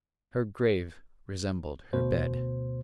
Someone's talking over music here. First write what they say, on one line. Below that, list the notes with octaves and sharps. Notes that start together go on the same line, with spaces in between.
Her grave resembled her bed.
D2 B2 C5